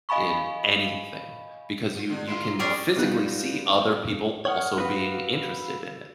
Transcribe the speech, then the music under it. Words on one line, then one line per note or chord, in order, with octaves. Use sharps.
in anything because you you can physically see other people also being interested in it.
D#5 F5 G#5 B5 C#6
F4
D3 G#3
A#3 E4 F4 C6
G3 C#4 F4 G#4 A#4 D5 G5
B2 F3 G3 D#4 F#6
C#5 F#5 D#6 F6
F#4 B4 F5 E6